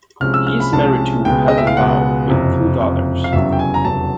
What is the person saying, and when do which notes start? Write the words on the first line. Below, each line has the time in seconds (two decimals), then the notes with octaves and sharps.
He is married to Helen Lau with two daughters.
0.20 C2 C3 F3 G#3 C#4 F6
0.34 E6
0.47 F6
0.60 B5
0.72 C2 C3 F3 G#3 C#4 A5
1.25 C#2 B2 G#3 B3 G5
1.48 D#5
1.58 E5
1.67 F5
1.77 C#2 B2 G#3 B3 F#5
2.29 F#1 F2 C3
2.81 F#1 F2 C3
3.24 F5
3.33 F1 E2 C#3 F#3 E5
3.53 G5
3.59 G#5
3.74 A#5
3.85 F1 E2 C#3 F#3 A5